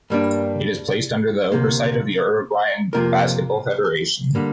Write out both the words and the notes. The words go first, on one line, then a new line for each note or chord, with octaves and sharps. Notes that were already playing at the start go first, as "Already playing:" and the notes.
It is placed under the oversight of the Uruguayan Basketball Federation.
G2 G3 A#3 D4
D2 C3 A#3
F2 C3 A#3 F4 A#4
D3 G3 A#3